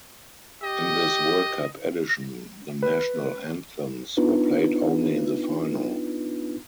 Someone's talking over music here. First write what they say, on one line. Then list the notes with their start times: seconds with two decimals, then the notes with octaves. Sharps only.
In this World Cup edition, the national anthems were played only in the final.
0.63 G4 D#5
2.83 B4
4.17 B3 D4 D#4 F4 B4